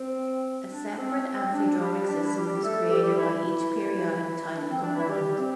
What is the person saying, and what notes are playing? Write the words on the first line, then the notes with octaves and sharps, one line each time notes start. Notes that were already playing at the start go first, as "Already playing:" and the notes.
A separate amphidromic system is created by each periodic tidal component.
Already playing: C4
D4
C4
C4
D4
G3 G4
D4
E4
G3 G4
A3 A4
G3 G4
G3 G4
E3 E4
E3 E4
D4
C4
D4
E3 E4
G3 G4
C4